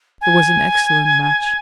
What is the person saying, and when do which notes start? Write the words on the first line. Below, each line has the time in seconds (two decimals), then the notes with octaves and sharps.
It was an excellent match.
0.21 G#5